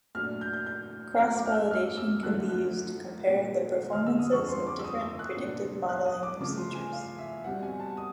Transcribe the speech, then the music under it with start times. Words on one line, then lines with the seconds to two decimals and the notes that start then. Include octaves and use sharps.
Cross-validation can be used to compare the performances of different predictive modeling procedures.
0.15 A#2 F#3 A3 D4 F6
0.41 G6
0.53 G6
0.66 G6
1.19 A2 F#3 A3 C#4 F#6
1.36 D6
1.46 F6
1.54 E6
1.71 F6
1.97 E6
2.23 F#2 D3 F3 A3 F#6
2.49 F#6
3.27 A#2 F#3 B3
3.93 F6
4.07 E6
4.19 D#6
4.32 F2 D3 F3 G#3 C#6
4.49 C6
4.67 D6
4.79 E6
4.84 D#6
5.01 E6
5.19 F#6
5.36 A#2 F#3 B3 D4
5.89 F#6
6.05 D#6
6.23 D6
6.40 C#3 F3 A3 D6
6.58 C6
6.75 G#5
6.92 F5
7.18 E5
7.44 B2 G3 C4 F#5
7.63 G#5
7.80 A5
7.97 D#6